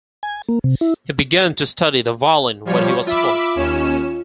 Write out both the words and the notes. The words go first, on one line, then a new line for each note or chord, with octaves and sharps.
He began to study the violin when he was four.
G#5
A#3
C3
E4
F3 G3 C#5
F4 E5 B5 D6
D#2 C#4 E7